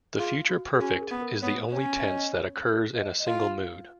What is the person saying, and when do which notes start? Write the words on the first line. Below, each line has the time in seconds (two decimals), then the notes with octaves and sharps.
The future perfect is the only tense that occurs in a single mood.
0.19 F4 G#4
0.49 F#4
0.73 G#4
0.81 C#4 F#4
0.93 A#4
1.01 G#4
1.11 B3
1.22 A#4
1.42 B3 C#5
1.72 C#4 C#5
2.04 D#5
2.11 C#5
2.19 D#5
2.34 C#5
2.66 A#4
2.96 D#5
3.20 D#5
3.27 F4 F5